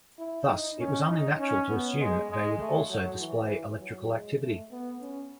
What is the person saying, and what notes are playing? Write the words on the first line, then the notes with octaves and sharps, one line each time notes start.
Thus, it was only natural to assume that they would also display electrical activity.
E4
D#4
C#4
D#4
C#4
B3
G#3
G#3
A3
F#3
E3
F#3
G#3
A3
B3
C#4